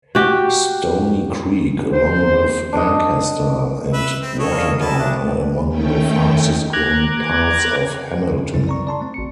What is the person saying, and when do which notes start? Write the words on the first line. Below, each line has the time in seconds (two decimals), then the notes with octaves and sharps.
Stoney Creek, along with Ancaster and Waterdown are among the fastest-growing parts of Hamilton.
0.15 F#4 G4
1.92 C5
2.73 D4 D#5
3.94 B4 E5 B5
4.23 C4
4.39 A4 C#5 D#5
4.53 A#4 D5 F5
4.80 F#3 E4 D#5 A5
4.99 G3 A3 D4
5.69 D#3 A3 C#4 G5
6.73 A#5 D6 F#6 G#6
8.54 F#2 C3 F#3 G3 C4 E4
8.67 D5 A#5 C#6
8.87 D5 A5 C6
9.00 A3 C4
9.14 G#1 C#7